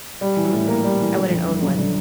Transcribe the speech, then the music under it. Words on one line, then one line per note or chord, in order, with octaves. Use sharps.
Mm-mm, I wouldn't own one.
G3
E3
A2
A#3
G3
E3
D3
F2
G1
F#3
D3